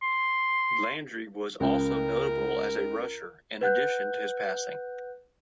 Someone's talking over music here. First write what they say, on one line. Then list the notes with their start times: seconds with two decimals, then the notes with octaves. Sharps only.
Landry was also notable as a rusher, in addition to his passing.
0.02 C6
1.60 C#2 C#3 A#4 G5
3.61 B4 F#5 F#6 G6